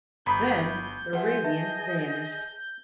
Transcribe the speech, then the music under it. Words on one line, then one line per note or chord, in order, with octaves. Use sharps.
Then the radiance vanished.
G1 A#5 B5 D#6 G6 B6
F3 G#4 B4 E5 F#5 C6
G#4 D#5 E5 A5